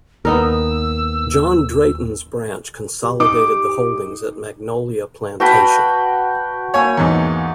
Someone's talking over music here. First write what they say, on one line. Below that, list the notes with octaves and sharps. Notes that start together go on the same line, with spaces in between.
John Drayton's branch consolidated the holdings at Magnolia Plantation.
D#2 B3 D#4 A#4 E6
G4
D#4 D6
F#4 B4 D5 G5 A5 B5
A#3 C#5 F5 G#5
E2 G#2